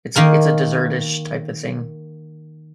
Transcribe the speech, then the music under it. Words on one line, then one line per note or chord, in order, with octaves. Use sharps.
It's it's a dessert-ish type of thing.
D#3 A#3 A#4